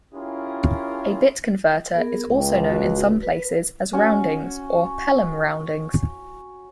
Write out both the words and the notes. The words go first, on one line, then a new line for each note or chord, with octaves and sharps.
A bit converter is also known in some places as 'roundings' or 'pelham roundings'.
C#4 E4 F4 G4 G#4 A#4
B3 G#4 A#4
C#2 G5
F#4
B4
C#4 F#4